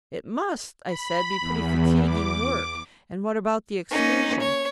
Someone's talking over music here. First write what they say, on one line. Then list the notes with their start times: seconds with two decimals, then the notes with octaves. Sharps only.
"It must," I said, "be pretty fatiguing work, and what about the Excursion?"
0.85 B5
1.40 E2
2.03 D6
3.91 A#3 C#4 D#4
4.40 C#5